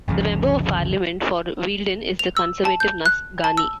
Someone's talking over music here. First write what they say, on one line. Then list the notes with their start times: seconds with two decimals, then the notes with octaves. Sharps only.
The Member of Parliament for Wealden is the Conservative Nus Ghani.
0.08 G1 D2 C#3 F3
2.19 F7
2.37 E6
2.65 A5
2.80 G6
3.06 F#6
3.44 A5
3.57 E6